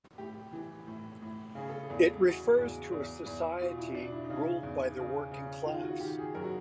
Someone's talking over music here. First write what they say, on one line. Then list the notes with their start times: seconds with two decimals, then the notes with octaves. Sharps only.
It refers to a society ruled by the working class.
0.18 A2 G4
0.53 E3
0.87 A2
1.21 A2
1.55 C#3 G#4
1.69 A4
1.82 G#4
1.90 E2
2.24 E3 F#4
2.58 E2
2.92 E2
3.26 E2
3.61 B2 F4
3.78 E4
3.95 B2 D4
4.12 E4
4.24 D#4
4.30 C#3
4.36 E4
4.63 E2
4.98 C#3
5.32 C#3
5.66 D#3 F4
5.83 F#4
6.00 D#3 G4
6.18 G#4
6.34 F#2 A#4
6.44 F#4